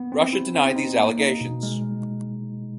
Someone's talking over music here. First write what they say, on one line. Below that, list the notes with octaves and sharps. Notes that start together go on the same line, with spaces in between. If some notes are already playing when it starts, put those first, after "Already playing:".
Russia denied these allegations.
Already playing: B3
C4
E4
C4
D#4
A#3
D#4
B2
G#3